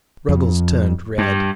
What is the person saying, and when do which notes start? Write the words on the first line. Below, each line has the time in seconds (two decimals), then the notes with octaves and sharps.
Ruggles turned red.
0.29 F2
1.18 G2